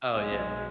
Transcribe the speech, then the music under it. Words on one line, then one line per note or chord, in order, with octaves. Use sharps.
Oh, yeah.
B1 G#3
B1